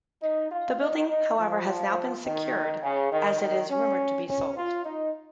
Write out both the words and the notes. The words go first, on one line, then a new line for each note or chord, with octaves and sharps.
The building, however has now been secured as it is rumoured to be sold.
D#4
F4
D#4
D#4
F3
D#3
C#3
D#3
D#3
C#4
C#4
F4
D#4